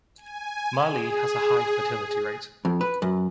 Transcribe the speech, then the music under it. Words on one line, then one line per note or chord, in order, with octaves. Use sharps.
Mali has a high fertility rate.
G#5
G#4
F2
B4
F#2